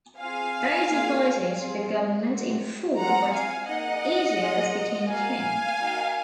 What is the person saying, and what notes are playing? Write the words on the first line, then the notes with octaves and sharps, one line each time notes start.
They divided the government in four but Aegeas became king.
C4 F4 G#4 F5 G#5
A#3 F4 G#4
C4 F4 G#4
C4 F#4
C4 F4 G#4 F#5 A#5
F5 G#5
A#3 D#4 G#4 D#5 F#5
A#3 F4 G#4
A#3 D#4 F#4 F5 G#5
A#3 D#4 F#4